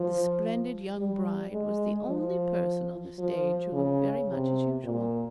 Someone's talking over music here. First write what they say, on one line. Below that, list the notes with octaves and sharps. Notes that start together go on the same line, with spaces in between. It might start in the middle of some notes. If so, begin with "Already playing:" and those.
The splendid young bride was the only person on the stage who looked very much as usual.
Already playing: F3
G3
G#3
F3
F3
C#3
C3
A#2